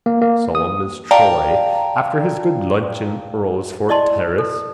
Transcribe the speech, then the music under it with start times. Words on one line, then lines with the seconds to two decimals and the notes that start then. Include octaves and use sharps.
Solemn as Troy. After his good lunch in Earlsfort terrace.
0.06 A#3
0.21 A#3
0.55 D#6
1.11 D5 F5 G5 A5 A#5
3.89 E4 D5 D#5 A5 C6
4.38 A4